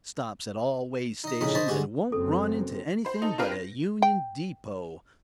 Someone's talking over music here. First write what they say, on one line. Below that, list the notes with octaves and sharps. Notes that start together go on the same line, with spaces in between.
Stops at all way-stations and won't run into anything but a union depot.
D#4 D#5
A#1 A2 C#3 D#4 D#5 B5
C5 C#5 D#5 A5 B5
D3 G#3 F#4 G4
F#1 F#2 C4 A4
C5 B5
D#4 A4
C4 D4 F4 G4 A#4 B4
A#6
G5